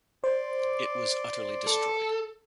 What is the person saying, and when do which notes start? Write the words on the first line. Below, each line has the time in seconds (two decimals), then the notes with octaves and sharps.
It was utterly destroyed.
0.24 C5 D5 C6 D6
1.67 A4